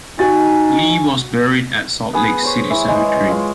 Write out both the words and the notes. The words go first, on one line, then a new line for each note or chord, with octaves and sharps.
Lee was buried at Salt Lake City Cemetery.
D#4 F#4 G#5 A6
B3 G#4
C5 C#5
E3
G#3
G#3 F4